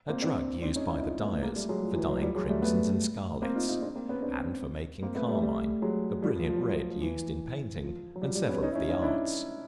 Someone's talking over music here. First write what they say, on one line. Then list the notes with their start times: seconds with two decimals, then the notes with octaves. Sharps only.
A drug used by the dyers, for dyeing crimsons and scarlets; and for making carmine, a brilliant red used in painting, and several of the arts.
0.09 A#3 C4
0.22 C4 D4
0.62 C4 D4
0.76 C#4 D#4
0.89 D4 E4
1.02 D#4 F4
1.22 A3 B3
1.42 G#3 A#3
1.56 G3 A3
1.69 F#3 G#3
1.82 F3 G3
1.96 E3 F#3
2.09 E3 F#3
2.22 F3 G3
2.35 F#3 G#3
2.49 G3 A3
2.62 A3 B3
3.42 A#3 C4
3.56 D#4 F4
3.69 D#4 F4
3.82 C4 D4
3.95 A#3 C4
4.09 B3 C#4
4.22 C4 D4
5.02 A#3 C4
5.15 A3 B3
5.29 G3 A3
5.42 G3 A3
5.82 F#3 G#3
6.22 F3 G3
6.36 F3
6.49 F3
6.55 F#3
6.62 F3
6.91 F3
7.02 E3
7.82 F3
8.16 F#3
8.22 F3 G3
8.35 F3 G3
8.48 B3 C#4
8.62 C#4 D#4
8.71 E4
8.75 C#4 D#4
8.89 C#4 D#4
9.02 D4 E4